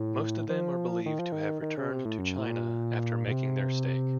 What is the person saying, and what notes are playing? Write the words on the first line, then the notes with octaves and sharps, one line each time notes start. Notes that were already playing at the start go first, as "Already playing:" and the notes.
Most of them are believed to have returned to China after making their stake.
Already playing: A2
F3
D#3
F3
D#3
D#3
C#3
C3
A2
F#2
A2
A#2
A#2
C3